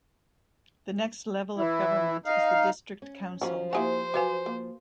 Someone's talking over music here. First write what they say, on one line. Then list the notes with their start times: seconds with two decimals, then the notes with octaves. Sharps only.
The next level of government is the district council.
1.58 E3 E4
2.25 D#4 F5
3.02 C#4
3.41 F3 F#3 C#4 F4 B5
3.73 A#3 E4 F#4 G4 C5 G#5
4.14 F#3 F#4 B4 F5 G#5
4.46 A#3